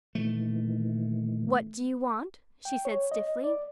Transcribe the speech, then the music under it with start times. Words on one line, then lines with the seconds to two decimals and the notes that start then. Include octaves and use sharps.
"What do you want?" she said stiffly.
0.15 A#2 D#3 E3 A3
2.65 G5
2.85 C#5
3.12 D#5
3.44 D5